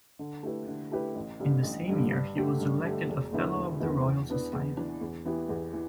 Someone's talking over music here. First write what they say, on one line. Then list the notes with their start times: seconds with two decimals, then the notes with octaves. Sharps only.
In the same year he was elected a Fellow of the Royal Society.
0.19 D3
0.43 A3 E4 G4 B4
0.67 D3
0.92 A3 E4 G4 B4
1.16 A1
1.40 G2 D3 G3
1.63 A1
1.87 G2 D3 G3
2.12 G2
2.37 D3 A3 G4
2.61 G2
2.85 D3 A3 G4
3.09 E1
3.32 E2 D3 B3 E4
3.56 E1
3.80 E2 D3 B3 E4
4.05 E2
4.29 E3 B3 D4 B4
4.53 E2
4.77 E3 B3 D4 B4
5.01 E2
5.25 E3 B3 E4 G4
5.49 E2
5.73 E3